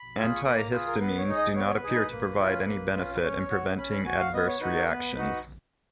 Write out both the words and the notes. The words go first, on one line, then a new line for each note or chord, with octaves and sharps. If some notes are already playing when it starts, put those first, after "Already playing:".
Antihistamines do not appear to provide any benefit in preventing adverse reactions.
Already playing: B5
F4 G#4
C#6
A#3 B5
A#5
F4 G#4 B4
A#4
B3 B4
C#5
D#4 G#4
D#5
B3 C#5
C#5
B4
D#4 G#4
B4
A#3
C#4 F4
A#3
C#4 F4
B4
C#4 C#5
F#4
C#4 B5
B5
F#4 G#5
F5
B3 D#5
C#5
D#4 F#4 B4
A#4
B3 B4
D#4 F#4